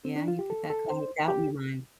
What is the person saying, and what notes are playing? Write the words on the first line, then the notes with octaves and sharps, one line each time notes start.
yeah, you put that cloud of doubt in your mind.
C4
D4
F4
G4
A4
A4
C5
G4